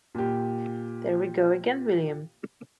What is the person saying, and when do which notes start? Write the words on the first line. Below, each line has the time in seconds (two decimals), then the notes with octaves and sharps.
There we go again, William!
0.15 A#2 G4